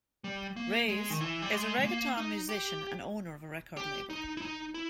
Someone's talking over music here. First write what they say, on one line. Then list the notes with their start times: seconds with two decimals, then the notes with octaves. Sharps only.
Reyes is a reggaeton musician and owner of a record label.
0.24 G3
0.56 A#3
0.88 G#3
1.10 D#3
1.20 E3
1.42 G3
1.52 G#3
1.79 G#3
1.85 A#3
2.17 D#4
2.49 G4
3.77 G4
4.10 D#4
4.37 E4
4.42 D#4
4.74 E4